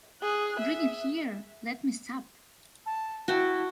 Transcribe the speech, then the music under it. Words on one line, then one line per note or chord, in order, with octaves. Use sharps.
Bring it here! Let me sup!
G#4 F#6
E5
A5
E4 F#4 G5 A5